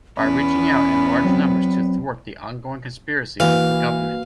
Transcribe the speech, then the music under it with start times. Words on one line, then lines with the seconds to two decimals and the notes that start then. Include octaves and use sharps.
By reaching out in large numbers to thwart the ongoing conspiracies of the government.
0.18 E2 B3 C#4 B4
1.25 F#3 C4
3.40 E3 A#3 F#4 B4 F5